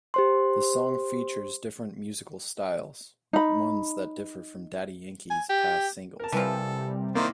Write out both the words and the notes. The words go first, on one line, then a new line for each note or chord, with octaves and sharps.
The song features different musical styles, ones that differ from Daddy Yankee's past singles.
G4 C5 C6
D#4 B5
G#5
G4
A#4 A5
C3 E3 F3 G3 A4
D#3 A#3 E4 C5 D5